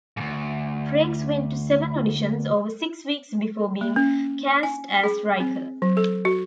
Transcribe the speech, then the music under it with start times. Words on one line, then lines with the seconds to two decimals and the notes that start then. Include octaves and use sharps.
Frakes went to seven auditions over six weeks before being cast as Riker.
0.17 D2 G#2
3.81 A#3
3.96 C#4
4.63 G#5
5.04 G#4
5.40 C4
5.82 F#3
5.97 A4
6.25 F#4